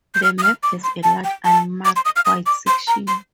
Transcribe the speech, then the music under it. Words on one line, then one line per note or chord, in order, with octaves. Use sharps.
The map has a large unmarked white section.
G6
F6
D#6
F6
D6
C6
A5
G5
A5
D6
C6
D#6
F6
D#6
D6
C6
A#5
C6